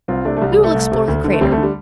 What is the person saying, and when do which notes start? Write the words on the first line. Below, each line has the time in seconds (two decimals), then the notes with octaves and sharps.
We will explore the crater.
0.08 C2 C4 F4
0.25 C3 A3 D4
0.37 A3
0.42 C2 G3
0.53 G3
0.58 C3
0.64 A3
0.75 C2
0.92 C3
1.08 D2
1.24 D3
1.33 A3
1.41 D2 G3 C4
1.52 A3
1.58 D3
1.63 G3